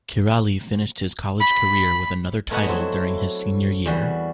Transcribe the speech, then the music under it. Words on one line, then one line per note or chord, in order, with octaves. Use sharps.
Kiraly finished his college career with another title during his senior year.
B5
A3 B3 F#4 D#5 F#5 G#5
F#3 A3 C4 E4
E2 G3 F#4